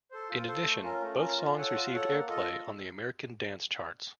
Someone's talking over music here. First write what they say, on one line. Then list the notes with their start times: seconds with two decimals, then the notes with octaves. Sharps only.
In addition, both songs received airplay on the American dance charts.
0.11 A4 C5
0.29 F4
0.48 A4 C5
0.65 A3
0.83 C#4 F4 A#4
1.02 A3
1.19 C#4 F4 A#4
1.38 F4
1.57 A4 C#5 F#5
1.75 F4
1.93 A4 C#5 F#5
2.11 A#3
2.29 F4 A4 D#5